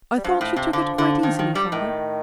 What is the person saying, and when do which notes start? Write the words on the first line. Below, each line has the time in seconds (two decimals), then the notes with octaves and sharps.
"I thought you took it quite easily, father."
0.17 G3
0.24 G2 F3
0.41 A2
0.57 C3
0.73 D3 F3
0.98 D3
1.23 D#3
1.39 D#3
1.55 G3
1.72 A2 D#3